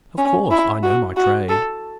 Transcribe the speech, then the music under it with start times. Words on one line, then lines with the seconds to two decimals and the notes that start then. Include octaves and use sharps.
Of course I know my trade.
0.18 C#4
0.51 E4
0.83 F#4
1.17 F#4
1.49 A4